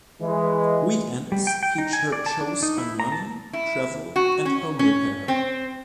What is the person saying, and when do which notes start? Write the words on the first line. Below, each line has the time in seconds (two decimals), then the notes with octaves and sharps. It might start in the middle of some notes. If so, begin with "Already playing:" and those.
Weekends feature shows on money, travel and home repair.
0.22 E3 G#3
1.32 G3
1.47 G5
1.63 G5
1.78 D#4
1.93 G#5
2.12 D5
2.26 A5
2.41 D4
2.63 D#4
2.78 E4
3.00 A#5
3.12 A5
3.53 E4
4.16 F#4
4.45 C#4
4.79 C#4
5.28 C4